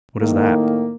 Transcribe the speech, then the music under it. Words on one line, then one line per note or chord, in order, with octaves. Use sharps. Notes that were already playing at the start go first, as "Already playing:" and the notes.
"What is that?"
A2 D#3 A#3